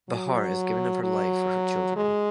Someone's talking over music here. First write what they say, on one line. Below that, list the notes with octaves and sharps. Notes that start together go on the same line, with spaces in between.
Bahar has given up her life for her children.
F#3
F#3
G#3